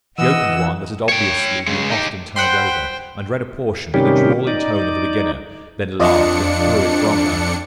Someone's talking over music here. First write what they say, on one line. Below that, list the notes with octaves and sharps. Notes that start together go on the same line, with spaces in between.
She opened one that had obviously been often turned over, and read a portion in the drawling tone of a beginner; then laughed, and threw it from her.
E3 D#5 F#5 E6
C#5 G5
C#3 G#3
D#4 G4
C5 F#5 G5 B5 C6
C3 D#3 G3 C#4 G4
D#4 D5
F2 D4 F4 D5 D#5 C#7